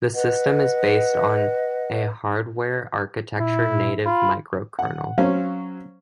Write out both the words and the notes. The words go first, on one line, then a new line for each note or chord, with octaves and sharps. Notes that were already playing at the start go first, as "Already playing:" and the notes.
The system is based on a hardware architecture native microkernel.
B4 D#5 F#5
A#2 E4
F4 B5
F#5
F#3 C#4 C5 F5